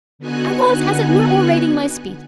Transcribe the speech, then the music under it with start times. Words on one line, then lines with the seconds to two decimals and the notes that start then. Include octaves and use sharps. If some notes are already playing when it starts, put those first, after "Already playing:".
I was, as it were, orating my speech.
0.19 D3 B3 D#4 F#4 G#5 F#6